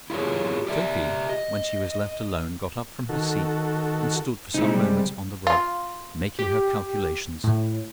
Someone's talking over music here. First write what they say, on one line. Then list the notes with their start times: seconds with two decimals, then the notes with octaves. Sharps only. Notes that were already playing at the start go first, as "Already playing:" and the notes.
Sophie, when she was left alone, got up from her seat, and stood for some moments on the rug, making her calculations.
0.10 E4 F4 G4 G#4 C#5
0.67 G4 D5 E5
1.29 D#5
3.09 D#3 F#4 A4
4.54 C3 G#3 D#4 E4
4.74 G3
5.47 F4
6.39 G4
7.44 A2